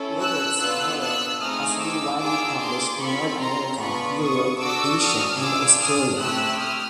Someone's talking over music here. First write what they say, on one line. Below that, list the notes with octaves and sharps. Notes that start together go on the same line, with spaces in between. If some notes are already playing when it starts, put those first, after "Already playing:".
Robert's work has been widely published in North America, Europe, Asia and Australia.
Already playing: C#4 E4 A4
E6 F#6
B3 D4 F4 A4
E6 F#6
A3 C4 D#4 G#4 D#6 F6
D6 E6
A#3 D4 F4 G#4 D6 E6
C6 D6
C4 F4 A4 B5 C#6
A#5 C6
B3 D4 F4 B5 C#6
C#6 D#6
D4 F#4 A4 D6 E6
D#6 F6
D4 F4 G#4 D6 E6
D#6 F6
A3 C4 E4 G4 E6 F#6
D#6 F6